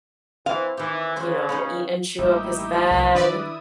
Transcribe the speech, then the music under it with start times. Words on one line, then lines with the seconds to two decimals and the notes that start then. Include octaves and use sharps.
you know, eat and chew up his bed,
0.46 E3 C4 F5
0.77 D#3 E3 G4
1.16 C#3 F#4 C5 C6
1.49 B3 C#4 D#4
2.19 A1 G3 A#3 D#4 E4 G4
2.91 C2 C4 B4
3.15 D#3 D4 E4 B4 D5 D#6